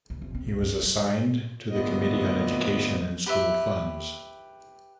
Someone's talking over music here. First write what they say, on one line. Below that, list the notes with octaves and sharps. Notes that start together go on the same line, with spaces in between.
He was assigned to the committee on education and school funds.
D2
F1
C4
C#2
F#2
G3
D2 A#2 B3 D#5
G4 B4 E5